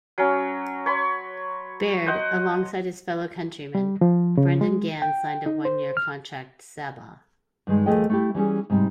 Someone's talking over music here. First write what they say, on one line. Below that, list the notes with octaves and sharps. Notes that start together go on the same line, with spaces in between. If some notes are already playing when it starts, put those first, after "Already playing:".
Baird, alongside his fellow countrymen, Brendan Gan signed a one-year contract Sabah.
F#3 C#4
C#5 B5 C6
C5 D#5 F#5
G3
F3
C#3
G#3
G5
D#4
C5
F6
G2 D#3 G#3
D#2 F3 A3 G#4 D#5 G5
A3 E4 G4
E3 G3 C#4 G#4
G#2 C3 G3